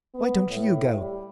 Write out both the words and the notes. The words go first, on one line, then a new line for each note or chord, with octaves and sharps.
Why don't you go?
B3
A2
G3